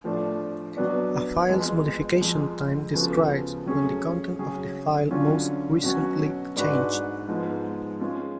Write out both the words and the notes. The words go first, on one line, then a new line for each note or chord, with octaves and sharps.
A file's modification time describes when the content of the file most recently changed.
A2 F3 A3 D4
B2 F#3 B3 D4
F2 F3 G#3 B3
F2 F3 G#3
C#3 F3 B3 F#4 A4
F#3 A3 C#4 G#4
C#3 F#3 C#4 G#4
D3 F#3 C#4 F4
B2 F#3 C#4 F#4
G#2 G#3 D4 F#4 B4
G#2 F3 G#3 B3
G#3 C#4 F4